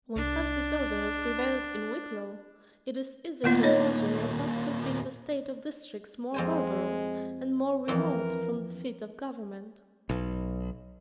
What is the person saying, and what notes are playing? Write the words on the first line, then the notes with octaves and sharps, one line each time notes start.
When such disorder prevailed in Wicklow, it is easy to imagine what must have been the state of districts more barbarous and more remote from the seat of government.
C2 D4
D#2 A#2 A#3 B3 F4
D#4 C#5 D#5
F2 G#3 C5 G#5
F2 E3 A#4
B1